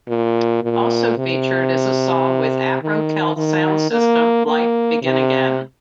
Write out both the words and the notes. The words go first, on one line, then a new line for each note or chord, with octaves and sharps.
Also featured is a song with Afro Celt Sound System, "Life Begin Again".
A#2
A#2
C3
D#3
D#3
A#3
A#3
C3